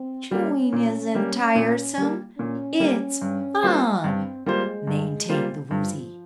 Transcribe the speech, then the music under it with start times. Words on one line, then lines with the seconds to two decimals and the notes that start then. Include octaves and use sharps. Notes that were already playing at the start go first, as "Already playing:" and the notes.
"Chewing isn't tiresome; it's fun," maintained the Woozy.
Already playing: C4
0.31 G3 A#3 C#4
0.73 A#2
1.15 G3 A#3
1.55 A#2
1.98 G3 A#3
2.38 A#2 C#4
2.80 G3 A#3
3.21 G2
3.63 G3 A#3 F4 C5
4.04 G2 C4
4.46 G3 G#3 A#3 F4 C5
4.87 G2
5.29 G3 A#3 F4 C5
5.70 G2 F3